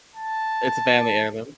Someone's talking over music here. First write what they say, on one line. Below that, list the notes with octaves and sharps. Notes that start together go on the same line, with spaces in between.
It's a family heirloom.
A5